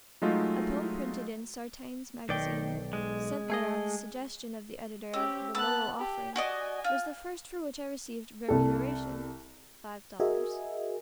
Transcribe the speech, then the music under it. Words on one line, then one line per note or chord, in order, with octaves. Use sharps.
A poem printed in "Sartain's Magazine," sent there at the suggestion of the editor of the "Lowell Offering" was the first for which I received remuneration--five dollars.
F#3 G#3 A3 D#4 F4
B1 D#3 D5 G5
G#3
A3 G#4 D#5
C4 C#4 G4
B3 A5 E6 F#6
G4
F#4 D5 D#5 G#5
F4
C2 A4
F#4 G#4 A#4 D#5 E5 G#5